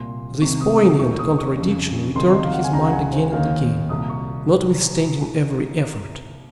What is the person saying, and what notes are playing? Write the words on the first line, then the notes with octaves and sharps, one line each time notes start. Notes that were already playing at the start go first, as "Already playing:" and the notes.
This poignant contradiction returned to his mind again and again, notwithstanding every effort.
Already playing: C2 A#2 C6
C2 C3 D#3 C#6
D#6
D#6
D#2 D#3 C#6
D#6
C#6
F2 C#3
C#2 C3 D#3 C6
D#5
F5
F#5
G#5
C#2 C#3 A#5
F#5
G#5
C5
D#2 D#3 F5
C2 A#2 D#6
C#6